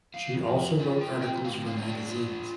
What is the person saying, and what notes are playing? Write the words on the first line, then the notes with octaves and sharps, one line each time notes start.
She also wrote articles for magazines.
F2 F5
F2
F4 D5
G5
C4
G5
A2 F5
F5
D4
G5
F4 D5